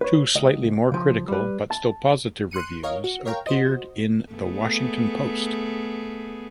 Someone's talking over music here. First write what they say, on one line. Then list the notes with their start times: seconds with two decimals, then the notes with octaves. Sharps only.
Two slightly more critical but still positive reviews appeared in "The Washington Post".
0.01 B4 C#5
0.35 C#2 D#5
0.92 C#3 F3
1.28 G3 B4
1.71 A5
2.51 C6 F#6 C#7 D#7
2.83 A#4 C#5 D#5 F5
3.04 F#4
3.25 A#4 C#5 F5 G5 A#5
3.47 F#4 C5 D#5
4.32 A3 B3 G#4